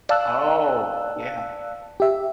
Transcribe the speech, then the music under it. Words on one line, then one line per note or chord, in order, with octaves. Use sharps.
Oh, yeah.
D5 F5 A5 E6 F#6
G4 E5